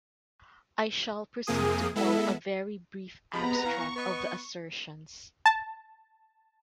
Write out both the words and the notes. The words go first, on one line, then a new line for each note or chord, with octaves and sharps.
I shall proceed to form a very brief abstract of the assertions.
F2 C3 A#3 G#4 D#6
G#3 B3 E4 A4 E5
C3 G#3 B3 A#5 B5
E3 F5 A#5 C#6
B3 D#5
A5